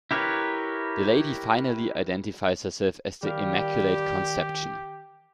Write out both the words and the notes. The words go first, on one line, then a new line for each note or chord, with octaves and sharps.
The lady finally identifies herself as "the Immaculate Conception".
E4 G4 A#4 B4 C#5
D#3 G3 G4 A#4 F5